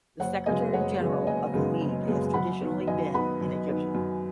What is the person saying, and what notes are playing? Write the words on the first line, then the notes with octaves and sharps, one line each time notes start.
The Secretary General of the League has traditionally been an Egyptian.
F#1 C#5 F#5
F#2 C#3 G#3 B3 D#5 G#5
F#1 C#5 F#5
F#2 C#3 G#3 B3
F#1 D#5 G#5
F#2 C#3 G#3 B3
F#1
F#2 C#3 G#3 B3
F#2 F#5 B5
D#3 B3
F#2 D#5 G#5
D#3 B3 F#5 B5
F#2
D#3 B3
F#2